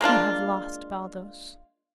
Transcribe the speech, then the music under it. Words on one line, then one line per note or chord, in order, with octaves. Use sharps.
You have lost Baldos.
G#3 A#3 D4 F4